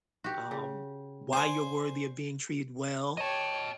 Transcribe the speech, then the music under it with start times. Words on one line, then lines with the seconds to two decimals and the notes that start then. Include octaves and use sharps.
um, why you're worthy of being treated well,
0.24 F#4 G4
0.51 C#3
1.33 C5 D5 G#5
3.18 G4 C#5 D#5 A5